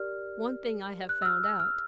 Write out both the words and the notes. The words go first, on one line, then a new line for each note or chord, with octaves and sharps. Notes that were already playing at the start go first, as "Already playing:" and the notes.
One thing I have found out.
Already playing: G4 A#4 D5 F6
F#6
E6
F6
E6
F6